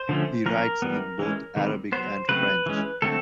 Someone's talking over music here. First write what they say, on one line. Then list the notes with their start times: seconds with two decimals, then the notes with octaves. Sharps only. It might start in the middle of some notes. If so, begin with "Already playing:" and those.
He writes in both Arabic and French.
Already playing: C5
0.09 D3 F3 A3 C#4
0.46 F3 A#3 C#4 A#4
0.82 E3 G3 B3
1.19 E3 G#3 C#4
1.56 D#3 G3 C4
1.92 F#3 B3 C5
2.29 C#3 F#3 A3 C4 B4
2.66 E3 G#3 C#4
3.02 D3 F#3 A3 C4 A4